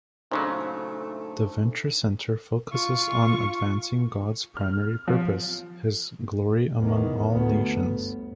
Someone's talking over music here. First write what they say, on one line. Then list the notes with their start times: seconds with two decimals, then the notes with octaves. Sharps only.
The Venture Center focuses on advancing God's primary purpose: His glory among all nations.
0.32 A#2 C#3 F#3 A3 D4 D#4 C5
2.72 F4 C#6
4.57 F6
5.08 F3
6.79 E2 D#3
7.31 D2 B3
7.90 G1